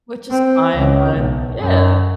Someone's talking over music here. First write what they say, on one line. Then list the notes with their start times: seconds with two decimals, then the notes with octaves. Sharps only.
Which is fine. But, yeah.
0.31 C4
0.76 C#2
1.17 B1
1.58 F#2